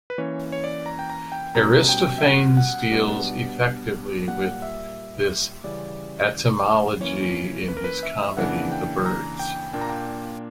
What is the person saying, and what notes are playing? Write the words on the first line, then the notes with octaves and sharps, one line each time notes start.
Aristophanes deals effectively with this etymology in his comedy "The Birds".
B4
E3 A#3 C#4 C#5
C#5
D5
A#5
G5
A#5
G5
B2 G3 C#4 A#5
G5
E5
F#5
F#5
B2 G3 B3 D4
A#2 G3 A#3 F#5
E5
C#3 E3 G3 C#4 D5
E3 A#3 C#4 C#5
B4
A#4
B4
E5
C#3 E3 A#3 D4 F#5
G5
A#5
G5
A#2 A#3 D4 G5
A#5
G5